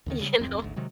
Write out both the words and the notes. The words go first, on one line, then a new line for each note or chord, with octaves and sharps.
you know.
D#2 D3 D#3
C#3 G3
D1 F2 C4
G#1 D2
C3 D#3 F#3 G#3